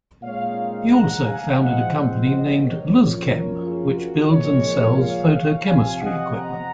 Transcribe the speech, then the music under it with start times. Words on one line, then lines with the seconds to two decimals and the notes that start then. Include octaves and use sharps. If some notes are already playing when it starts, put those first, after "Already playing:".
He also founded a company named Luzchem which builds and sells photochemistry equipment.
0.22 A#2 G#3 C4 D#4 C#5 F5
0.91 F#5 A#5
1.24 F5 G#5
1.58 G#2 F3 C4 D#5 F#5
2.26 C5 D#5
2.60 A#4 C#5
2.94 F#2 F3 A#3 C#4
3.62 F4 G#4
3.96 F#4 A#4
4.30 A#2 F3 G#3 D#4 A#4 C#5
4.98 C#5 F5
5.32 C#5 F5
5.66 F2 C3 F3 C4 F5 G#5
6.00 D#5 F#5
6.34 F#5 A#5